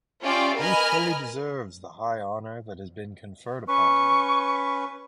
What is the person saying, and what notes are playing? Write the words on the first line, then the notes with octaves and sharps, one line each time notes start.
He fully deserves the high honour that has been conferred upon him.
C#4 F4 G4 D5 E5 G5
A#4 B4 D#5 G#5 B5 F6
C#4 B4 C#6